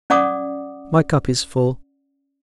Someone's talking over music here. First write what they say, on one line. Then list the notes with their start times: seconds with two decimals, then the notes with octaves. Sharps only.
My cup is full.
0.10 C#4 D5 F#5 D6 D#6